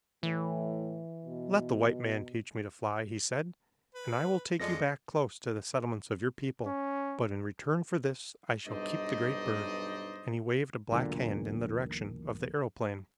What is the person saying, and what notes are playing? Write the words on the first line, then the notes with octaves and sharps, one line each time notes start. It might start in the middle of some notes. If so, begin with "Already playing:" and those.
"Let the white man teach me to fly," he said, "and I will take you back close to the settlements of your people, but in return for this I shall keep the great bird," and he waved a black hand in the direction of the aeroplane.
A2 E3
B2
B4
F2 F3 G#3 A4 D5 D#5 A#6 C#7
C#4
B1 G2 D#4 C5 D5 D#5
E1 B1 A#2 D3